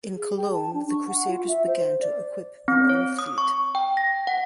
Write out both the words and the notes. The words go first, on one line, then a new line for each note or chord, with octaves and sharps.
In Cologne the crusaders began to equip their own fleet.
G#4
G5
A5
D4
C#6
F#5
F4
E5
C5
D5
C4
C#5
D#6
C#6
G5
A#6
F#5